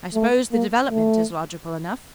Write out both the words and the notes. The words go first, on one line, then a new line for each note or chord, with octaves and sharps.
I suppose the development is logical enough.
A3
A#3
A3